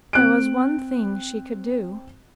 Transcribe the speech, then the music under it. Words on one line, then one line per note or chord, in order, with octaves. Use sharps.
There was one thing she could do.
C4 F#6 D7